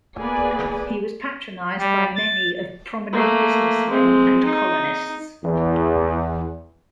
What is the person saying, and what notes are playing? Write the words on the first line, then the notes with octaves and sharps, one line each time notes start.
He was patronised by many of prominent businessmen and colonists.
A#3 B3 G#4 B4 D5 G#5
G3
A6
A3 A#3
G#3 C4
D#4
E2